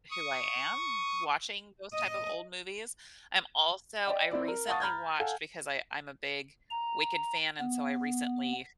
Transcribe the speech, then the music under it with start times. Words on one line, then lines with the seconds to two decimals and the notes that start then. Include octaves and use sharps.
who I am watching those type of old movies. I'm also I recently watched because I I'm a big Wicked fan and so I recently
0.10 C#6 D#6
1.94 D#5
4.07 D5 D#5 G5
4.31 C4 E4 D5
4.48 A#4
4.67 F5 F#5 A5 C#6 D#6 A6
4.80 A#5 B5 F6 G6 G#6
5.19 A4 F5 F#5 G#5
6.70 A#5
7.60 B3